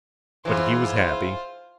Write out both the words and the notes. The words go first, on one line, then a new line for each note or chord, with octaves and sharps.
But he was happy.
G#2 E3 F4 C5